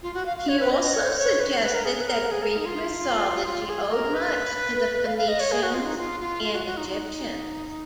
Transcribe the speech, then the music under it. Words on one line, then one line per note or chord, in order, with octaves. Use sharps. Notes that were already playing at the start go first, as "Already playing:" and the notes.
He also suggested that Greek mythology owed much to the Phoenicians and Egyptians.
F4
F#4
F5
F5
C#5
B4
D#5
D#5
C#5
C#5
B4
B4
A#4
G#4
B4
A#4
G#4
A#4
D#4
F4
G#4
A#4
B4
F5
F5
D#5
C#5
G#4
F#4
F4
D#4
F4
F4
F4
F#4
F#4
D#4
D#4